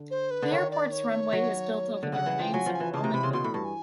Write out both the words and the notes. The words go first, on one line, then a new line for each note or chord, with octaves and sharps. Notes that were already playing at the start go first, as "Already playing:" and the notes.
The airport's runway is built over the remains of a Roman villa.
Already playing: D3
C5
B4
D3
D#3 C#5
D5
C#5
F#3
D3
C#3 F#5
E3
F3 G5
F#3 G#5
F3
G#5
E3
C#3 A5
C3 A#5
C3 B5
C#3 C6
B2 C6
A2 B5
G2 A5
G#5